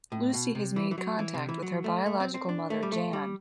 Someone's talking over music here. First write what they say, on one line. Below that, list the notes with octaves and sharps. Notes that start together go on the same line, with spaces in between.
Lucy has made contact with her biological mother Jan.
A2
B2
C3
E3
E3
F#3
E3
C3
E3
F#3
A3
A3
C4
C4
D4
A3
G3
A3
G3